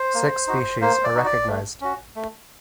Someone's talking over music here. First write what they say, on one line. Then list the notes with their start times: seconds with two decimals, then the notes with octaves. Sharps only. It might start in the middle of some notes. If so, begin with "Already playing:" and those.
Six species are recognized.
Already playing: C5
0.15 A#3
0.47 D#4 F#4
0.81 A#3 C5
1.04 D5
1.15 D#4 F#4
1.26 D5
1.48 A3
1.81 C#4 F#4
2.16 A3